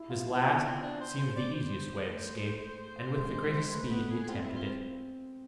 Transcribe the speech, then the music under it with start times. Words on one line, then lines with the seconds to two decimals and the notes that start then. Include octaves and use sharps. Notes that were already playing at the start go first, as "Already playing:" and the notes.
This last seemed the easiest way of escape, and with the greatest speed he attempted it.
Already playing: E4
0.10 F4
0.45 B3 E4
0.59 D4
0.64 C4
0.82 D4
1.01 C5
1.19 C5
1.36 D5
1.54 C5
2.10 A3
3.18 G#3
3.46 G#3
3.73 A3 B4
3.91 B3 B4
4.10 G#4
4.23 G#4
4.29 C4 F4
4.42 E4
4.55 F4